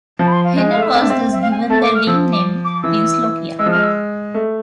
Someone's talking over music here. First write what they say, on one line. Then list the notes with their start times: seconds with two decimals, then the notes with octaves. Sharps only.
Hayner was thus given the ring name "Prince Iaukea".
0.19 F3 A5
0.27 B5
0.32 C6
0.44 F5
0.57 G#3 G#5
0.70 F5
0.76 A3
0.82 E5
0.95 C4
1.01 D4
1.10 C4
1.32 E5
1.41 F5
1.51 G#5
1.70 A3 A5
1.82 D6
1.95 F6
2.07 F3 E6
2.33 D6
2.65 D6
2.83 E3 E6
3.59 G#3 E6
3.66 F3
3.71 G#3 F6
3.83 E6
4.34 A3